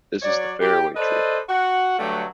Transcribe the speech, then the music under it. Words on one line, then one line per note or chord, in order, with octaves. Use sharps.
This is the Faraway Tree.
F#3 C#5 D5
G4
A4 B4 C5 D5 D#5
F#4 F#5
G2 D3 F#3 A3